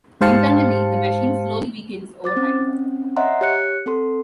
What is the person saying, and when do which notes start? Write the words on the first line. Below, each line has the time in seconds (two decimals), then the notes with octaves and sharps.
Internally, the machine slowly weakens over time.
0.21 G#2 G4 C5 F5 A5 C#7
2.24 C5 D6 A6
2.36 C4 C#4
3.16 C#5 D#5 E5 F#5 A#5 C6
3.41 G4 C#5 F#6 C#7
3.86 C4 A4 C6